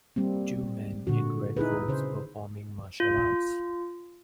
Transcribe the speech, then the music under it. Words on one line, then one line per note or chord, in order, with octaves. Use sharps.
Two men in red robes performing martial arts.
G3 A#3 C4
A#2 D3 F#4
D#4 E4 G#4 B4
C#3 C5
F4